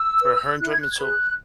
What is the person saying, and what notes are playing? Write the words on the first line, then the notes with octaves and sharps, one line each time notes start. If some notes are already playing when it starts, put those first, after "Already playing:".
for her enjoyment, so,
Already playing: E6
B4
E4 F#6
G#6
F#6
G#6
G#4 B4 F#6